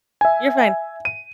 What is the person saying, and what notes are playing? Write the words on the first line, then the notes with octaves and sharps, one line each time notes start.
You're fine,
E5 G#5
D#7